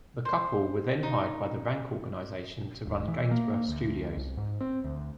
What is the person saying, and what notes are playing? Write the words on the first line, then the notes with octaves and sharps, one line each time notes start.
The couple were then hired by the Rank Organisation to run Gainsborough Studios.
C5
D#4
D#1
E3
A#3
D2
C2
G#2
C4
D2